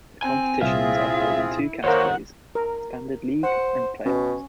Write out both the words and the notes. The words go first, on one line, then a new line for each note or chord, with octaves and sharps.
The competitions are played in two categories: Standard league and playoffs.
C4 G#5
C2 A#2 C4 E4 F4 G#4 E5 F5
D#3 A#3 F#4 A#4 C5 C#5 F#5
A#4
C5 F#5
B2 C#4